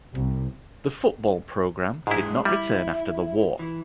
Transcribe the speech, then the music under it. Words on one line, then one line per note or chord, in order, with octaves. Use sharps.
The football program did not return after the war.
C2
G#2 G#3 D4 E4
G3 E4
E3